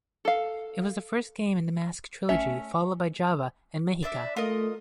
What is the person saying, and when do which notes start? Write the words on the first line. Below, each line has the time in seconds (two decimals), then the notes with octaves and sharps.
It was the first game in the Mask Trilogy, followed by "Java" and "Mexica".
0.25 A4 F5
2.29 A3 C#4 E5
4.03 D4 D5 E5
4.36 A3 F4 A#4 D#5